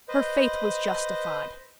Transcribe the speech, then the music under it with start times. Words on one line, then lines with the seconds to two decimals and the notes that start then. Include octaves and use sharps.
Her faith was justified.
0.08 B4 C5 D#5